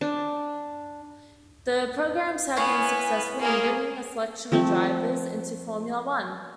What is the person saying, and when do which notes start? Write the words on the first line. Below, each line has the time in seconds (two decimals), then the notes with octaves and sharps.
The programs have been successful in bringing a selection of drivers into Formula One.
0.01 D4
2.57 B3 E4 C#5 F5 G#5
3.39 A#3 G#4 A#4
4.52 F3 A3 C4